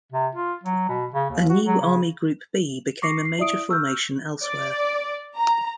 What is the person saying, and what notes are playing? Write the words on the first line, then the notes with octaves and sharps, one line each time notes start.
A new Army Group B became a major formation elsewhere.
C3
F4
F#3
B2
C#3
D#2
F#4
F#3
C#3
C#6 D6 A#6 C7 C#7
C7
E4 D5 E5 D#6 D7
C#6 E6 F6 G6
D5
A#5